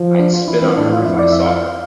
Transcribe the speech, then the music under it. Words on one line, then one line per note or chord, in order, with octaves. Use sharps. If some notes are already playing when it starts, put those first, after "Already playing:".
I'd spit on her if I saw her.
Already playing: F3
D4
F4
E3 E4
C4
A2 D4
F4
F2 E4
D5
E5
F5